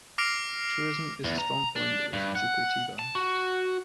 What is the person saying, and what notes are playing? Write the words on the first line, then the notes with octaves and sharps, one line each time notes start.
Tourism is a strong point of Juquitiba.
D6 F6 A#6 C7 D7 F7
E2
A#5
D4
G2
F#5
A5
F#4